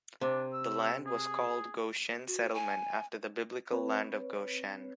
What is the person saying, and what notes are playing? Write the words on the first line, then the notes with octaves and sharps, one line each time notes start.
The land was called Goshen Settlement, after the biblical land of Goshen.
C3 D4
E6
G#4
F#4
G#5
C4 B4 C#5